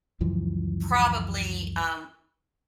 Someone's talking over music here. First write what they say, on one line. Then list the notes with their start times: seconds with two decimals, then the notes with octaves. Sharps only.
probably, um,
0.21 C#2 F#2 E3 F3